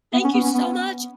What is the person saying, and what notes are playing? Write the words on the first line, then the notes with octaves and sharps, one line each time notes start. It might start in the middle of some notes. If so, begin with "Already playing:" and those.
thank you so much,
B3
C#4
B3
C#4
B3